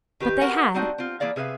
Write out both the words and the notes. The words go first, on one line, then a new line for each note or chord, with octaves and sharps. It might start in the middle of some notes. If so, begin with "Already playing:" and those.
But they had.
D#3 G4 B4
F#4 A#4 B4 F#5
G3 C4 D4 D#4 F#4
C4 F4
E3 A#3 G#4 D5 F5
C3 G#4 B4 E5 F5